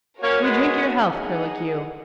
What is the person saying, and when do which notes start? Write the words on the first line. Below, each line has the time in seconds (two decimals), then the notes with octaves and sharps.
'We drink your health, Curlicue.
0.21 A#3 C#4 F#4 A#4 C#5 G#5
0.42 G#3 B3
1.07 D#4 G#4 D#5 F#5